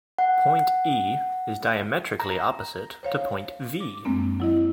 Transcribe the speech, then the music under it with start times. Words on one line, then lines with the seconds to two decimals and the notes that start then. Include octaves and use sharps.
Point "E" is diametrically opposite to point "V".
0.18 F#5
2.20 A#5
3.03 C5 C#5 F5
3.80 D6
4.05 F#2 G#3 A#3 C4 D4
4.40 F#3 E4 D#5